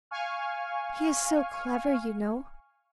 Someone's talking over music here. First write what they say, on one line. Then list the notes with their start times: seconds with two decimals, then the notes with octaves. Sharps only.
He is so clever, you know.
0.11 F5 G#5 C#6 F6